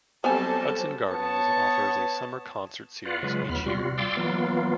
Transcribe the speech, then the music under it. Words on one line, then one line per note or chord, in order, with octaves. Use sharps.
Hudson Gardens offers a summer concert series each year.
F#3 G3 B3 C4 A4 C5 G#5 A5
B3 C#5 A5
F4 B4 D5 F5 F#5
C#3 F#3 G#3 F4 B4
D#2 B3 B5 F6
C3 G3 F4 F#4
D5 F5 G5 C6 D6 E6
E3 F#3 A#3 B3 F4